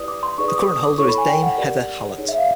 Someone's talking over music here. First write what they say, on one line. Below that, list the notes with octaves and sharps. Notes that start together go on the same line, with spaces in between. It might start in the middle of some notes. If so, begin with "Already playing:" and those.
The current holder is Dame Heather Hallett.
Already playing: E4 G4 B4 D5 D#6
D6
C6
D#4 G#4 B4 D5 C#6
D#6
D6
D#6
D6
E4 A4 C#5 C#6
B5
G#5
G5
F#5
G4 A#4 D5
D#4 G#4 C#5
E5
F5